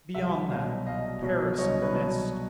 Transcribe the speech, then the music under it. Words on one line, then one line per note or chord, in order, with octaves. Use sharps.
Beyond that, Paris in the mist!
C2 E5 F#5
B2 F#3 D#5 F5
C2 D#5 F5
B2 F#3
C2 C#5 D#5
B4 C#5
B2 F#3